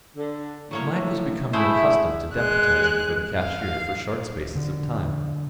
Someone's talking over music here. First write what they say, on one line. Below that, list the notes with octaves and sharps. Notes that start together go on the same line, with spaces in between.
Mike was becoming accustomed to deputizing for the cashier for short spaces of time.
D3
A2 F#3 A#3 C#5
G#3 A3 E4 C5
G#3 F#6
F5
D3